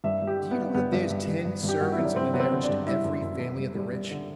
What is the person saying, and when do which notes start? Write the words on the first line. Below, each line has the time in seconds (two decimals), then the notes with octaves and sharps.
Do you know that there's ten servants, on an average, to every family of the rich?
0.04 G2 E5
0.22 G3
0.27 G4
0.39 D3
0.51 B3
0.57 G3
0.74 G2 B3
0.92 G2
1.10 G2
1.28 G2
1.45 G2
1.63 G2
1.69 G4
1.80 G2 F#4
1.92 E4
1.99 F#3
2.04 D4
2.16 G2 C4
2.34 F#3 B3
2.40 C4
2.51 D3
2.63 D4
2.69 G2
2.86 G3 E4
3.04 F#2
3.22 F#2
3.40 F#2
3.57 G3
3.75 G3
3.93 G3
4.11 D3